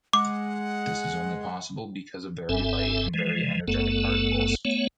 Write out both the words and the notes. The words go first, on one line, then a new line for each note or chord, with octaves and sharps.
This is only possible because of very light and very energetic particles.
G#3 F#5 D6
F#1 G2 C4 A4 E5 G#5
E3 F3 G#3
F#1 F#2 A3 B3 A4
A3 B3 C#5